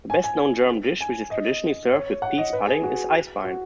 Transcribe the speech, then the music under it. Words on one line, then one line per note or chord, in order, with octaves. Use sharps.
The best-known German dish which is traditionally served with pease pudding is Eisbein.
G#5
G#5
G#5
D#5
C#5
F#5
D#5
B4
G#4
F#4
F#4